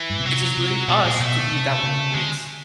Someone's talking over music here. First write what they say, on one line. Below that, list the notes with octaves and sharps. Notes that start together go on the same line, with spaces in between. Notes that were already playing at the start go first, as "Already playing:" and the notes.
It's just really us to be that world police.
Already playing: E3
G2
B2
C3 F#3
C3
B2 G3
A#2 G#3
B2 A3
C3
C#3
D3 G#3